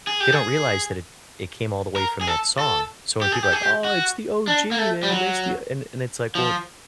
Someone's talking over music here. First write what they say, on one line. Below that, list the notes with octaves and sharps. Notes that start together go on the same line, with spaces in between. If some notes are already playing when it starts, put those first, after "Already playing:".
they don't realize that it it came all the way from that song. So when people are like, "Oh, it's the OG, man. That's the" and and it's like, "Well,
G#4
G4
G#4
A#4
G#4
A4
A4
G4
G#4
G4
G#4
G4
F#4
D4
A#3
A3
G3
F#3
F3